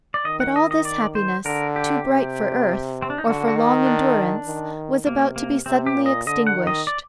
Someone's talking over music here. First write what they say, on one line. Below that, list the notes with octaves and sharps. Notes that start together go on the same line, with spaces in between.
But all this happiness, too bright for earth, or for long endurance, was about to be suddenly extinguished.
D5
D#3 D#5
F#5
D#5
D#5
D5
C5
D3 A#4
G4
C3
C4
D4
D#4
D3 F#4
F#4
D#3 D#4
D4
D#3
C3 A#3
A#3
C3 C4
G4
A#2
D#5
D3 D#5
F#5
D#3
D#5
D5